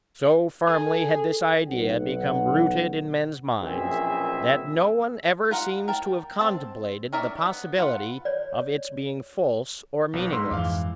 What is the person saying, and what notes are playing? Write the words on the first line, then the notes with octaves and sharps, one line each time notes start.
So firmly had this idea become rooted in men's minds, that no one ever seems to have contemplated the possibility of its being false or meaningless.
G#4 A4
B1 F#5
A#1 F#2 B2 C4 G#4 E5
F4 A#4 F#5
A#4 G5 A5
C4 A5
C#4 A#4 D5 E5
B3
F4 B4 F#5
C#5 D5
B1 B3
G#2 C6 E6
F2 G#2 E3 F5 D6